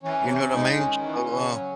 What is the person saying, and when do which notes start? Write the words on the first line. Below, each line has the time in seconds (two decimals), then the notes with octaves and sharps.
you know what I mean? So, uh,
0.03 E3 C#4
0.20 C3
0.28 C#4
0.37 C3
0.54 G#3 D#4
0.70 G#3
0.78 C#4
0.86 D#3
1.03 E3
1.20 C#3
1.36 C#3
1.53 F#3